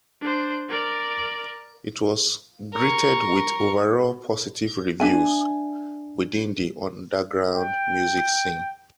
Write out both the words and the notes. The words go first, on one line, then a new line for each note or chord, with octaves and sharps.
It was greeted with overall positive reviews within the underground music scene.
D4 C5
A#4 D5
A#4 C#6
D4 E5 G#5
G5